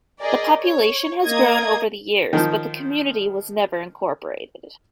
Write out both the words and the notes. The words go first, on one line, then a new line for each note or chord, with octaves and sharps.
The population has grown over the years but the community was never incorporated.
G#4 A#4 D5 D#5
C#5
A#3 D#5 A#5 D#6 G#6
D#3 F3